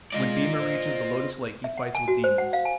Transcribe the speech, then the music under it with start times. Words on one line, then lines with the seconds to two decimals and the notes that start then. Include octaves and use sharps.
When Bhima reaches the lotus lake he fights with demons.
0.12 G#3 F4 D5 D#5
0.58 C5
1.64 E5
1.77 F#5
1.95 G#5
2.08 F#4
2.24 C5
2.38 F#5
2.53 F5
2.65 G#5